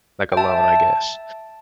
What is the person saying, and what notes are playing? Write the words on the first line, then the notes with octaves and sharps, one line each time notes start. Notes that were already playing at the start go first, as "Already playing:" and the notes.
like, alone I guess,
G5
E5 A5